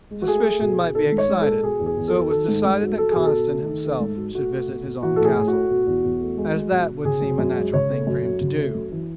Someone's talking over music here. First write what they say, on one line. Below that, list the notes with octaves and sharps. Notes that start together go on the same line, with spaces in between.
Suspicion might be excited, so it was decided that Conniston himself should visit his own castle, as that would seem a natural thing for him to do.
G#3
F#4
A3 G#4
A3
B2
B2
D#3 A4
G#2
C#5
G#2
G#3 A4
B2 G#4
E2
G#4
E2
A4
F#3
D#3 A4
G#2
G#2
F#3
F#3 A4
B2 G#4
A4
B2
A3
D#3
A3
G#2
F#3
A3 F#4
A3
B2
B2
E3 F#4
A2 A4
G#4
A2
F#4
A3
B2
E2
E2
A3
G#3
G#3
B2
B2
C#3 G#4
F#2
F#2
G#3
C#3 C#5
A3
F#2
F#3
C#3
A3
F#2
E3